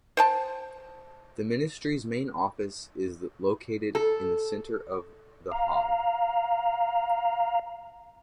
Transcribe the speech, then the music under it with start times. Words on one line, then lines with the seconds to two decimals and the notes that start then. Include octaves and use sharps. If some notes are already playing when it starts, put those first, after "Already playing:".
The ministry's main office is located in the centre of The Hague.
0.17 C5 G5 A5
3.95 A4
5.52 F5 A#5